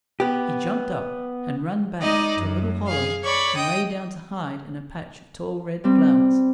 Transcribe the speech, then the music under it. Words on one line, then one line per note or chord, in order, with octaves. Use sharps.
He jumped up and ran back to a little hollow and lay down to hide in a patch of tall red flowers.
B3 G4
G#3 D#4 D5 D#5
F#2
G#4 F5
C#5 D5 B5 C#6
D#5 G5 D#6
G3 C4